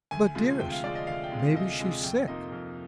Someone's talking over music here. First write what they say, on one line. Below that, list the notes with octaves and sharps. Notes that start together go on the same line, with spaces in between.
"But, dearest, maybe she's sick."
D2 G#5
C3 F3 G#3
D2 G5
F5
C3 F3 G#3 D5
D#5
D2 F5
G5
C3 F3 G#3
F5
D2 D#5
C3 F3 G#3 D#5
F2 G5
C3 F3 A#3 D#4 D#5
F2